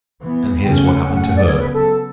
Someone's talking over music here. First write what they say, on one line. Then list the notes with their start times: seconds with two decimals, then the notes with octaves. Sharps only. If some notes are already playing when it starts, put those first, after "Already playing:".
And here's what happened to her.
0.22 E3 B3
0.64 C#3 E3 A3 C#4 G5
0.85 F#5
1.05 A2 F#3 A3 C#4 F#5
1.16 F#5
1.26 F#5
1.36 D5
1.46 C#3 F#3 B3 C#5
1.60 B4
1.74 A4